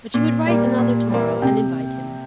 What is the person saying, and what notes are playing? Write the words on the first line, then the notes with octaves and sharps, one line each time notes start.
But she would write another to-morrow and invite him.
A#2
G3 A#3
A#2
G3 A#3
C3 G5